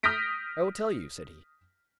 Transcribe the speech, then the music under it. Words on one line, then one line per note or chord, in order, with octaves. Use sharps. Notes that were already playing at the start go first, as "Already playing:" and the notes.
"I will tell you," said he.
D#6 F6 G6 A#6 B6 D7